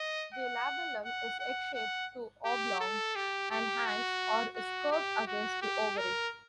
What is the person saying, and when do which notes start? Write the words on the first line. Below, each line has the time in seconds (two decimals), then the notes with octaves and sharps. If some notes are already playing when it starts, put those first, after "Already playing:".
The labellum is egg-shaped to oblong and hangs or is curved against the ovary.
Already playing: D#5
0.34 F#5
1.05 F#5
1.40 F#5
1.75 F#5
2.45 G4
2.81 A4
3.16 G4
3.51 G4
3.86 F#4
4.56 F#4
4.92 G4
5.27 F#4
5.62 G4
5.97 A#4